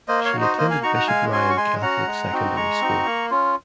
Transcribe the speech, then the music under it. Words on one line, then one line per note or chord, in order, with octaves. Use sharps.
She attended Bishop Ryan Catholic Secondary School.
A#3 C5 D#5
C#5 F5
D#4 F#4
C5 D#5
A#3 C5 D#5
F5 G#5
D#4 F#4 A#5 C#6
F#5 A#5
G#3 F5 G#5
C#4 F#4 G#5 C6
C#6
G#3 G#5 C6
C#4 F#4 F#5 A#5
G#3
C4 D#4 F#4
G#3 A#5 C#6
C4 D#4 F#4
A#3
C#4 F4